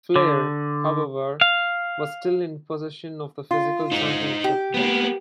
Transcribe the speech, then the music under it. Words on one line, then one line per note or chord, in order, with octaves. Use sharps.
Flair, however, was still in possession of the physical championship belt.
D3
F5
F4
D#4 C5
G4
A#3 B3